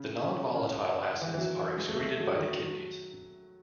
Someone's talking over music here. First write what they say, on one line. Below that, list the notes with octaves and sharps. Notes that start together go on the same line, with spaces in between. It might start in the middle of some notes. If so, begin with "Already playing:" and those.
The nonvolatile acids are excreted by the kidneys.
Already playing: C#3
C#3
C#3
E3
E3
F#3
G#3
A3
A3
G#3
F#3
D#3
F#3